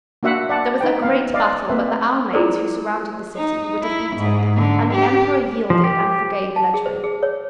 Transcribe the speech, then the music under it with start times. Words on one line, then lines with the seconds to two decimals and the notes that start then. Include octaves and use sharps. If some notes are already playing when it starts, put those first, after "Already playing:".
There was a great battle but the Almains who surrounded the city were defeated and the Emperor yielded and forgave Ledgwin.
0.23 A#3 D4 F#4 E5 F#5
0.49 D5 F#5 A5
0.80 D#4 B4 G5
1.02 B3 F5
1.34 D5 D#5 F5
1.69 A3 A#3 C4 B4 E5
2.33 E4 F4 G#4 A#4 C5 D5
3.35 D#4
3.83 E4
4.17 G#2
4.57 D3
4.94 G4
5.70 F3
5.84 G4
6.56 A5
6.74 G#4
6.86 C5
7.04 G#4
7.23 C#5